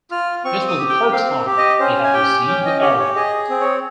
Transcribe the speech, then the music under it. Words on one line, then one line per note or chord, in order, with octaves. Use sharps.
This was the third time he had received the award.
F4 F6
C4 C#6
D#6
G4
G5
C4 F5
G4
D#5
C#4 C5
G#5
G4 G5
C#4 G5
D#5
G4 C#5
C#5
G#4 D#5
C4
C#5